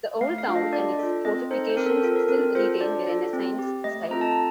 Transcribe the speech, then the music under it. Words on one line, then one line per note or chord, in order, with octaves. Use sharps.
The old town and its fortifications still retain their Renaissance style.
A3 F5
F5
D4 F4 A4
D#5
D4 D5
F4 A4
C4 D#5
D#4 A4 C5
C5
C4 A#4
A4
A#4
F4 A4
A#4
C4 A#4
F4 A4 C5
D4 D5
F4 A4
C4
G4
A3 D#5
C4 F4 A4 A#5
A5
A#5